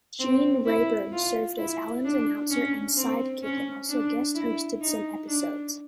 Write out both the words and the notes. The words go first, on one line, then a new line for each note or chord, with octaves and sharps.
Gene Rayburn served as Allen's announcer and sidekick and also guest-hosted some episodes.
C4
E4
F4
E4
D4
C#4
C4
C#4
D4
E4
D#4
D4